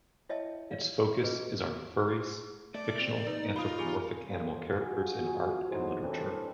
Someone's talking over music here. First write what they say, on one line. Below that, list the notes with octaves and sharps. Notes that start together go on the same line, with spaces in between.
Its focus is on furries: fictional anthropomorphic animal characters in art and literature.
E4 C#5 D#5 E5 G5 A5
C#5 D5 F5
C#4 F4 G#4 B4 D#5
A3 D5
C4
D#4 B4
F4 B5 D#6
G4 G#4 G#5
C2 F2 A#2 F3 F4
F4 F#4 G#4
A1 E3 F#3 D#4 C5
A2 E3 C4 D4